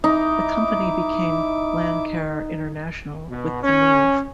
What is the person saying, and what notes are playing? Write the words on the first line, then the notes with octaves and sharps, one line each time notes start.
The company became Lancair International with the move.
D#4 E4 D6
B2
C#4